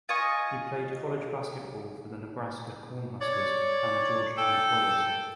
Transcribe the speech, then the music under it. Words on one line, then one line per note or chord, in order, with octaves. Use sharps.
He played college basketball for the Nebraska Cornhuskers and the Georgetown Hoyas.
F4 D#5 G#5 C#6
C#5 D5
A4 G5